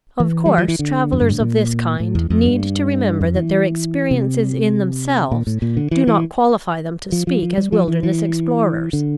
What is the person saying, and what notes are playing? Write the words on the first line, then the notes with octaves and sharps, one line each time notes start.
Of course travellers of this kind need to remember that their experiences in themselves do not qualify them to speak as wilderness explorers.
E3
G3
F3
E3
D3
F2
G2
A2
A#2
A2
E2
F2
G2
F2
E3
C3
A#2
A2
A#2
D3
E3
E3
F3
F3
F3
G3
F3
E3
E3
D3